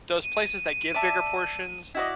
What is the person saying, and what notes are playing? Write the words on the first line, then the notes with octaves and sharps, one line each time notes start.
those places that give bigger portions,
D#7
D5 E5 A5
E4 F#4 D5 D#5